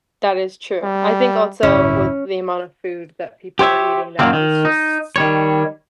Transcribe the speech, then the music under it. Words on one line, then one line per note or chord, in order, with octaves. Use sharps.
That is true. I think, also, with the amount of food that people were eating, that was just s
G3
D1 G1 C#4 E4
G4 C5 C#5 E5
F#2 A#2 D#3 F#3 A#3 C4
D#3
D#4
D#3 G3 C#5